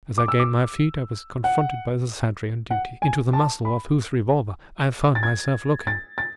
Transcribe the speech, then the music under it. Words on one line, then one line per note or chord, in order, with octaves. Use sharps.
As I gained my feet I was confronted by the sentry on duty, into the muzzle of whose revolver I found myself looking.
D6
E6
D6
F#5
F#5
G#5
A5
B5
A6
G#6
A6
A6